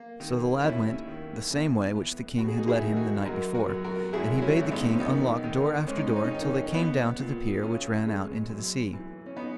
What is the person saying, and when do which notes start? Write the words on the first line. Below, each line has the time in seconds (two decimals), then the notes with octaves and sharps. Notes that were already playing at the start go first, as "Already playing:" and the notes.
So the lad went the same way which the king had led him the night before, and he bade the king unlock door after door till they came down to the pier which ran out into the sea.
Already playing: A#3
0.20 D#3
0.63 D#2 C#4 E4
1.08 D#3
1.51 E2
1.95 B3
2.38 B3 F#4
2.48 G#4
2.58 D#4 F#4
2.68 E4 G#4
2.81 D#3
2.97 D#4 F#4
3.25 F#2 F#4 A#4
3.55 F#4 A#4
3.69 F#2
3.85 F#4 A#4
4.13 G#1 E4 G#4
4.38 F#4
4.42 C#4 E4
4.57 G#1
4.71 B3 D#4
4.94 C#4
5.00 D#3 B3 D#4
5.44 D#3
5.87 G#2 C#4
5.97 D#4
6.07 C#4
6.16 D#4
6.25 C#4
6.31 D#3 D#4
6.43 C#4
6.66 C#4
6.74 B3
7.19 A#2
7.62 B1 C#4
8.06 G#3
8.50 F#2
8.93 E3
9.26 C#4
9.36 B3 D#4